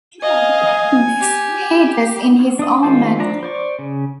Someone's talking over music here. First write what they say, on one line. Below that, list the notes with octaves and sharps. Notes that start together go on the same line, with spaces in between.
This he does in his own manner.
D#5 F5 G#5
G4
D4 D#6
D#3 G#3 F4 C5
F3 D4 A#5
C5 D5 C#6
C#3